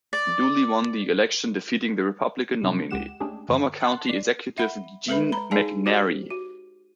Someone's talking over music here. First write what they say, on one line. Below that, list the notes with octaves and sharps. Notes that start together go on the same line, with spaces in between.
Dooley won the election defeating the Republican nominee, former County Executive Gene McNary.
D5
C3 E3 G3 C4 D4
C#2 G#3 G4 F#5 E7
G#3 A3 C#4 D4 G4 G#4
G2 D3 E3
F#5 A5 C6 F#6
D5 C7
E5 F#5 B5
G#3 A4 B4 E5 B5
A#5 B5
D#4 G#4 D5 F5 G#5 A5
F#4 G4 A4 C5 D5
F#4